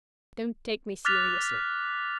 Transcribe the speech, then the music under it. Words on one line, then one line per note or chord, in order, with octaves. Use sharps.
Don't take me seriously.
D6 F6 F#6 A6 B6 F7